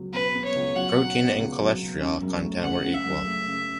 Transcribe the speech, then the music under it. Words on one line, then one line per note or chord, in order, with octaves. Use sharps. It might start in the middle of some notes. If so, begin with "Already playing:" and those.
Protein and cholesterol content were equal.
Already playing: C#2 F#3 B3
B2 B4
B3
C#5
C#2
F#3 F#5
B2
B3
C#2
F#3
B2
C#4
F#2
A3
C#3 F#5
C#4
E5
F#2
A3
C#3